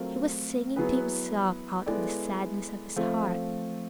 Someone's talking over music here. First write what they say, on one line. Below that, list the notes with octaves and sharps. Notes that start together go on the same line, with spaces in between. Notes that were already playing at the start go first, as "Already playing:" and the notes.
He was singing to himself out of the sadness of his heart.
Already playing: F#3 A3 C4 F4 A#4
F#3 B3 E4 G#4 B4
G#3 B3 E4 A4 D5
F3 A3 C4 F4